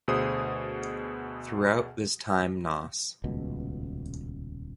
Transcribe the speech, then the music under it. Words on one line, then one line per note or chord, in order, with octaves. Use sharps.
Throughout this time Nos.
D2 B2 G#4 C5 D#6
D#1 C#2 B2